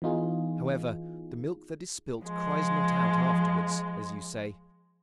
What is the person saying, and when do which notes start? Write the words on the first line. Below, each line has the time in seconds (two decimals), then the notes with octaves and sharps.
However, 'the milk that is spilt cries not out afterwards,' as you say.
0.02 E3 B3 D#4 F4 G#4
2.22 F3 G#3